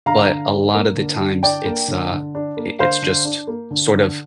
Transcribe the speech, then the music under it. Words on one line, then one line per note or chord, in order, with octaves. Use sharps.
but a lot of the times, it's, uh it it's just, sort of
D3 F5 A#5
D3
D4
A#3
D3
D3
D4 D5 G5
A#3
D3
D3
D4
A#3
D3 C5 F5
D3
D4
A#3
D3
D3